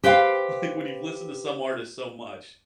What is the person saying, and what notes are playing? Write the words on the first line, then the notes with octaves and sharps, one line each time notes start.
L like when you've listened to some artist so much,
G4 B4 C5 F5 G5